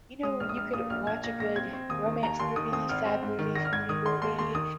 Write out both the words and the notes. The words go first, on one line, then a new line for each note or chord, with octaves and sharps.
you know, you could watch a good romance movie, sad movie, funny movie,
G#3 D#6
A#1 F6
D#6
A#1 F6
A#2 D#6
A#1 F6
A#1 G#6
A#2 A#6
A#1 A#6
C4 G#6
C4
D#2 D#6
D#3
D#2 A#5
D#2 C6
D#3 D#6
C4 D#6
G#1 F6
C4
G#2
D#3
G#1 A#6
F6
G#2 G#6
D#3 D#6
G#1 C6
D#2 C6
D#2 C6
D#3 D#6